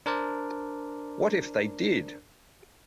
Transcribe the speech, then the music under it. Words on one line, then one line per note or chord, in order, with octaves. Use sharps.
What if they did!
D4 A#4 C5 D5